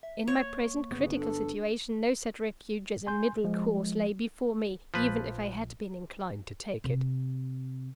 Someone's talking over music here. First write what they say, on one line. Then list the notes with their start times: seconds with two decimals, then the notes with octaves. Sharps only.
In my present critical situation, no such refuge as a middle course lay before me--even if I had been inclined to take it.
0.03 E5
0.27 A#3 C#5
0.91 G1 C#3 B3
1.17 D4 A4
3.07 G#5 C6 G6
3.44 F3 G#3
4.94 A#1 F3 B4
6.84 C3